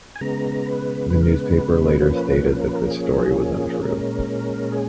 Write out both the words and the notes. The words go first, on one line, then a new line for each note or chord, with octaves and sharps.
The newspaper later stated that this story was untrue.
G#5
C#3 G#3 B3 A#5
B4
B4
A#4
B4
F3 A#3 C#4 B4
A#4
B4
A#4
B4
A#4
G#4
G#4
A#2 G#3 C#4 A#4
G#4